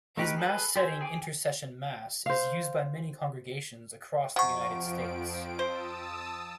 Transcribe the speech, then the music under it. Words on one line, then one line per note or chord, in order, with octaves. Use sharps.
His mass setting "Intercession Mass" is used by many congregations across the United States.
A3 D#4 G4 A#4 B4
G#4 A4 B4
G4 C5 E5 G#5
G#4 G5 G#5 D6
C5 F5
F2 C3 F3 F#5 C#6 D7
C5 A5 D#6 E6